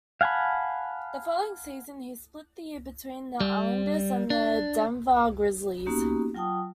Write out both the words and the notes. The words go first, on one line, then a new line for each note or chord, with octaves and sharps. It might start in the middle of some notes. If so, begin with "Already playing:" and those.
The following season, he split the year between the Islanders and the Denver Grizzlies.
F5 F#5 G#5 A5 B5
G3
D4
A#3 B3 C#4 D#4 F#4 G4
F#3 F4 G5 A5 D#6